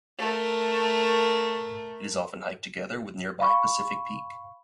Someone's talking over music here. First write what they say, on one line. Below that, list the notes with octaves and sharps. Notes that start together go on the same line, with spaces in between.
It is often hiked together with nearby Pacific Peak.
A3 A#4
F5 B5 C#6